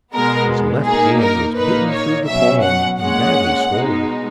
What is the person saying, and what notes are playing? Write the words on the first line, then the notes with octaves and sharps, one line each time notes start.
His left hand was bitten through the palm, and badly swollen.
B2 G#3 B3 A#4
A#2 A#3 D#4 G#4
A#4
A#2 A#3 D#4 B4
C#5
B2 F#3 C#4 E5
F#5
A#2 G#3 C#4 F#5
B2 G#3 D#4